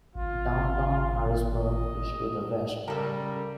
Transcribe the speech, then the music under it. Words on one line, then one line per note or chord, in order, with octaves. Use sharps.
Downtown Harrisburg is to the west.
G#1 F4
D#5
C#3 G3 A4 A#4